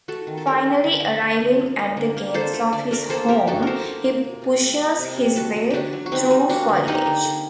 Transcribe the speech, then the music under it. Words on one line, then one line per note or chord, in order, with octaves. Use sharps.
Finally arriving at the gates of his home, he pushes his way through foliage.
A3 F#4 A4
D#3
A4
A3 G4 A#4
A3
D3
D3
D3
D3
A#3
A#3
D3
A#3
D3 A4 C5
A3
D3 D5
A3 A#4 D5
A#3 A4 C5
A#3 G4 A#4
D3 F#4 A4
A#3 A4 A#4 C5
A#3
A#3
C3
C3
G3
A#3
C3
G3
D3 F#4 A4
F#3
D3 D4 F#4 G4
F#3
F#4
D3 C4 D#4
G3
A#3 D4 F#4
D3
A#3 D#4 G4
D3
D3